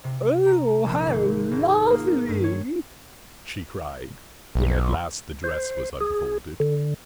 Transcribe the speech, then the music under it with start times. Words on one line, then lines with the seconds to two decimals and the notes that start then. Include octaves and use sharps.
"Oh, how lovely!" she cried, when at last the dress was unfolded.
0.04 C3
0.46 A#5
0.86 A#1
1.07 G#1
1.51 G#1
1.70 D#6
1.90 A#3
2.10 A#3
2.28 G2
2.44 C#5
4.55 B1
5.44 C5
6.01 G#4
6.60 D3